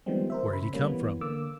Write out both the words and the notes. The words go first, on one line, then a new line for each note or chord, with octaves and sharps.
Where had he come from?
D#3 F3 G3 G#3 B3 C4
A#4 C5 E5
C#3 B5
G3 A#3 C#4
E3 B3
D3 A#3 D6 E6